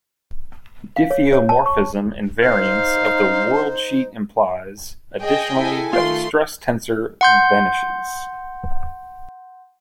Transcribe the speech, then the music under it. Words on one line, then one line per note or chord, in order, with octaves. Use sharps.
Diffeomorphism invariance of the worldsheet implies additionally that the stress tensor vanishes.
F5
C#5
C#5
A5
C#6
D#4 C5 F5
G#4 D#5 G5
E4 A4 G#5
D#3 A3 F4 C6
F#5 C6 G6